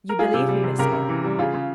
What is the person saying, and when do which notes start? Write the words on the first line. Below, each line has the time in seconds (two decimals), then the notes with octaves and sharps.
You believe me, Miss Hale?'
0.09 A#4
0.19 G3 F4 G#4
0.34 C3
0.49 G3
0.64 C3
0.78 C#3 G4 A#4
0.93 C#3
1.09 E3
1.24 G3
1.39 C#3 F4 G#4
1.54 C#3